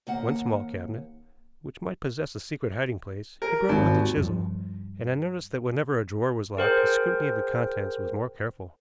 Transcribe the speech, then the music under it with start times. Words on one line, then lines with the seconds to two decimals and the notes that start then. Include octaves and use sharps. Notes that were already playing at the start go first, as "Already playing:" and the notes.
One small cabinet, which might possess a secret hiding-place, he broke with the chisel, and I noticed that whenever a drawer was locked his scrutiny of the contents was more careful.
0.07 D#2 A#3 F#5
3.42 A#4
3.69 G#1 D#2
4.17 G2 F3
6.57 G#4 A#4 C5 G5